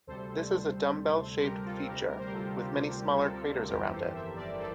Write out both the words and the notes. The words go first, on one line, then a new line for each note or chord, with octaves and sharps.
This is a dumbbell-shaped feature, with many smaller craters around it.
D2 C3 G3 A4 C5
G4 A#4
F4 A4
D2 C3 G3 G4 A#4
A#4
C5
G4 A#4
F4 A4
G4
F4
G4
A4
A#4
F4 A4
G1 F2 E3 G4 A#4
A4 C5
C5 E5
A#4 D5
A4 C5